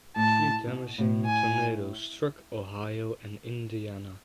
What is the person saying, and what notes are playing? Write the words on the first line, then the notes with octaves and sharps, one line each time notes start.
Three damaging tornadoes struck Ohio and Indiana.
A2 A5
C#3
B2
A2
G#5